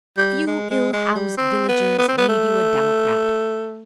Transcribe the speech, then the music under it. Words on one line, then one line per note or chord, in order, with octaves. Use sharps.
A few ill-housed villagers made you a democrat.
G3
G#3
G#3
G#3
G3
C4
B3
B3
C4
B3
A3